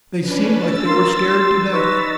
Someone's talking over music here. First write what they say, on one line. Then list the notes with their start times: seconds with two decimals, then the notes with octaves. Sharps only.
They seemed like they were scared to death.
0.22 C#4 D4 B4
0.55 E6 A6
0.85 F4 A#4 C6
1.27 C6
1.71 D#4 B4 C#6